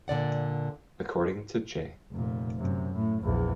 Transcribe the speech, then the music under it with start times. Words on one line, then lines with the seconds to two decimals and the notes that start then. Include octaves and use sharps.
According to J.
0.08 A#2 D3 D5 F#5
2.12 F1 A#2
2.57 F#2 C3
2.94 A2
3.23 A#1 E2